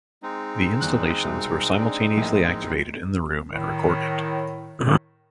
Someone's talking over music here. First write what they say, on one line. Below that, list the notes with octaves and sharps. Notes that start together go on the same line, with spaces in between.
The installations were simultaneously activated in the room and recorded.
G#3 C4 D#4
E2 F#6
C2 B2
D4 G#5
A#1 A2 A#3
A2 D#3